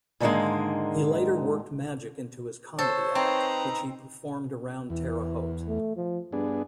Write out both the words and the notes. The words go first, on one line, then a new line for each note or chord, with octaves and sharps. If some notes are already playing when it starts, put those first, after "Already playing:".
He later worked magic into his comedy act, which he performed around Terre Haute.
G#2 D3 D#3 F3 G#3 A#3
A4 C5 C#5
C4 D#4 B4 A#5
E2 E3
A3
F3
G2 B3 D4 G#4